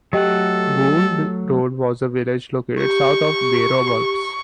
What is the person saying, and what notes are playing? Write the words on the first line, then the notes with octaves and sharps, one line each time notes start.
Goulds Road was a village located south of Bay Roberts.
F#3 A3 G4 A4 D#5 F#5 G5
G4 C#6